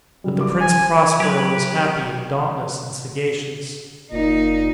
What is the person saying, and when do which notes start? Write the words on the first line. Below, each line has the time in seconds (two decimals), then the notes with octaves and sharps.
But the Prince Prospero was happy and dauntless and sagacious.
0.24 C#3 F#3 G3
0.41 D6
0.61 G#5
1.20 F#3 G4 B4 G#6
4.12 F#1 A#2 D#4